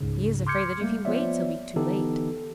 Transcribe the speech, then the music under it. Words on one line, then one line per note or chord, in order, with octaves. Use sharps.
"He is afraid that if he waits he'll be too late!"
C#2 G#2 C#3
C6 D6 F6 G6 G#6 C#7
G3 A3 A#3
F3 B3 C#5 D5 E5
D3 E3 B3 D#4 G4 A4